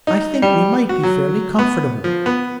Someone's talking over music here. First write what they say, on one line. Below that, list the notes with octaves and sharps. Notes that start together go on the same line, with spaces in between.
I think we might be fairly comfortable.'
D#4
G3
F#4
F#3
B3
F3
B3